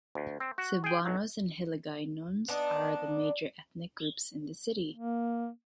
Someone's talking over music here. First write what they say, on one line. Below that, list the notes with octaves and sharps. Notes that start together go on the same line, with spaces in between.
Cebuanos and Hiligaynons are the major ethnic groups in the city.
D2
C4
F#4
G#4 G5
B1 F#3
B3 D4 D#4
A#3